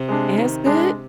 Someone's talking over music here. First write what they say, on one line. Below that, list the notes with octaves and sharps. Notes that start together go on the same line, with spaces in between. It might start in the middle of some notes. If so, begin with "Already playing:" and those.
as good,
Already playing: C3
G#3 D4
D#3
G#3 D4